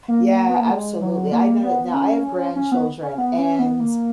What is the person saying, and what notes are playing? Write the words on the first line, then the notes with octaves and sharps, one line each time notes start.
Yeah, absolutely, I know that now, I have grandchildren, and
A#3
B3
A#3
G#3
F#3
A#3
B3
C#4
C#4
B3
C#4
B3
C#4
B3
A#3